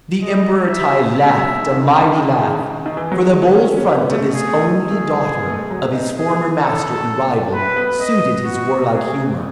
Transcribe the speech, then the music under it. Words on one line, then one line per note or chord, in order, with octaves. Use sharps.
The Emperor Tai laughed a mighty laugh, for the bold front of this only daughter of his former master and rival, suited his warlike humor.
G#3 D#5
E5
G#3 E5
G#3
F#3
D#3
D#3
D#3
D#3
D#3
C#3
D#3
C#3
D#3
D#3
E3
F#3
G#3
B3
C#4
C#4
B3
A3
G#4
G#4
A3
D#4
B3
A3
G#3
F#3
B3
D#4
G#4
C#4 A4
B4
B3
B3 D#5
F#4
A3 G#4